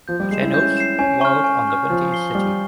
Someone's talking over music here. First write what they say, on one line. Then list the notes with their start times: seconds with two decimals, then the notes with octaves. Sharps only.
Channel's "Wild on the Windy City".
0.08 F3 G6
0.20 G3
0.31 G#3 C7 E7
0.42 E4
0.53 C#4 G6
0.77 C7 E7
0.99 C#4 G#5
1.21 C#6 F6
1.44 G#5
1.67 C#6 F6
1.89 F3 F6
2.12 C7 G7
2.35 G3 F6